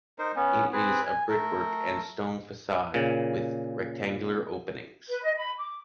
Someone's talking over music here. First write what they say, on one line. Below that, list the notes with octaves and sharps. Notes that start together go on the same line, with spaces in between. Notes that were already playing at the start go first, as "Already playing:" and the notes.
It is a brickwork and stone façade with rectangular openings.
D#4 A#4 C5
B3 C#4
C4 G#4 B4
G#5
A3 A#4
A#2 C#3
B4
D#5
B5
D6